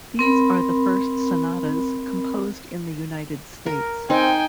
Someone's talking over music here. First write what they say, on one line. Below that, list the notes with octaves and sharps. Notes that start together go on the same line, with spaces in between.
These are the first sonatas composed in the United States.
C4 A#4 B5
A#4
C4 D#4 G5 G#5